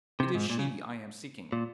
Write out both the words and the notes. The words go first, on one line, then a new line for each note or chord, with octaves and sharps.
It is she I am seeking.'
C3
G#2
A#2
C#3
A#2